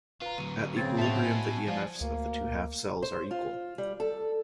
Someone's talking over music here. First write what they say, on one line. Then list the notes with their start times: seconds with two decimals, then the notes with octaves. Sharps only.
At equilibrium the emfs of the two half cells are equal.
0.22 F4 B4 A#5
0.38 D2 F#3 D#7
0.76 C#3 C4 G#6 A6
0.98 A2 B3 F#4 E5 A5 A6 F7
1.23 G#5
1.68 F3 C5 D5 F5
2.01 D2 A#3
3.02 C5
3.31 F4
3.78 G3
4.00 A4